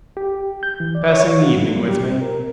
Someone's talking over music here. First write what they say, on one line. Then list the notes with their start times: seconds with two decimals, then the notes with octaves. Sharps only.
Passing the evening with me.'
0.17 G4
0.63 G6
0.80 E3
0.95 D5
1.13 C#5
1.27 F5
1.43 F#4
1.57 F#3
1.74 G3
1.88 G4
2.04 C4
2.21 A#4